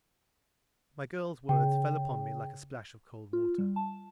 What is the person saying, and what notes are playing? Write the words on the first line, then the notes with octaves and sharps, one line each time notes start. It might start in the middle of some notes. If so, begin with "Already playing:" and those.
My girl's words fell upon me like a splash of cold water.
C#3 G5
F4
G3
A5